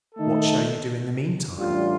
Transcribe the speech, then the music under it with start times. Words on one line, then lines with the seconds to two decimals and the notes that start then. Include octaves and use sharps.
'What shall you do in the meantime?'
0.15 D#3 A3 D#4 A4
1.56 A1 A2 G3 D4 F4